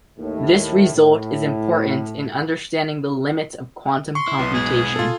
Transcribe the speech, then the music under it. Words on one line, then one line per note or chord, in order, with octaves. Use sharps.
This result is important in understanding the limits of quantum computation.
D#2 A2
A2
C6 C#6
E4
B1 B3
B2 G#3 G#4
F4 A4